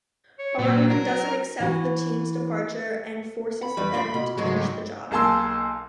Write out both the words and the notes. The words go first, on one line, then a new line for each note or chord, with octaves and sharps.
Bergman doesn't accept the team's departure and forces them to finish the job.
C#5
A#2 F#3
A#4
E3 F#4
B5
E2 G3 B4
F4 D5
B2
C#2 G#2 F#3 G#3
G2
B1 A#3 G#4 A5 C6 E6